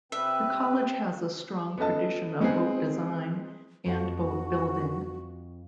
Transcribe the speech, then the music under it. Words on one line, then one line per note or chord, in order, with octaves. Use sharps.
The College has a strong tradition of boat design and boat building.
C3 C4 B4 E5 G5
B3 C#4 A4 D#5 A5
G#3 B3 C4 D#4 G#4
F2 F#4 F#5